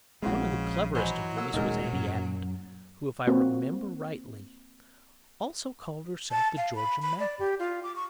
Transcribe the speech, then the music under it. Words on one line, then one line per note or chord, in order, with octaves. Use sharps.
One of the cleverest of these was Annie Abbott, who, if I remember rightly, also called herself The Georgia Magnet.
A#1 C#3 G#3 C4 F#4
E3 F#3 C5 D#5 G#5 B5
A#3 F#5 E6
D#1 A#2 G#3 D#4 A#4
F#2
A#3 C4 F#4
A5
F5
B5
B5
D5
G4
F4
D6
C#6